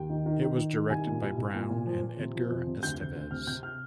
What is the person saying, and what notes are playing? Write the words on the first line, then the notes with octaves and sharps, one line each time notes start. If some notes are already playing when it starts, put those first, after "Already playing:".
It was directed by Brown and Edgar Esteves.
Already playing: D#2 G5
D#3
D#3
D#3
D#3
D#3
C2 G#5
A#2
C2
C2
A#2
A#2
F3
F3
C3
F3
F2
C3
D2 G6
D2
D2
C3 F6
C3 G6
F6